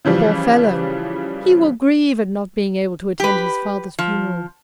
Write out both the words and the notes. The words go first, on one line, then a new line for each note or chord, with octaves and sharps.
Poor fellow! he will grieve at not being able to attend his father's funeral.
C#3 E3 F3 G3
G4 B4
F3